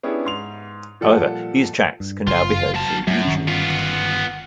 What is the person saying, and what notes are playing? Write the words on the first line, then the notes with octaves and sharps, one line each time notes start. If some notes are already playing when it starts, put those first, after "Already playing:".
However, these tracks can now be heard through YouTube.
B3 C#4 D4 E4 G4 G#4
G#2 C6 F7
A#2 F3 G3 A4 F#5
G2
F#1 F4
F#3 A5
F#2 F#3 G3
G1 D#3 C#4
B3 F4